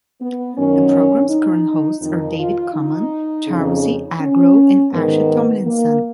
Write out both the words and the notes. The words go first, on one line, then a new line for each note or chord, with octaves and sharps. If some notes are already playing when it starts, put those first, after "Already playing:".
The program's current hosts are David Common, Charlsie Agro and Asha Tomlinson.
B3
F#2 D#3 C#4
D#4
F2 D#3 D#4
F4
D#4
F2 C#3
C#4
G#2 D#3 B3
A#3